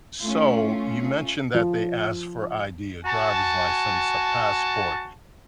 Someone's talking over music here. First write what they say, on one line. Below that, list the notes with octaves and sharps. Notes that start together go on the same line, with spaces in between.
so you mentioned that they asked for ID, a driver's license, a passport.
A3 C#4 F4
F3
F#4 G#5 A5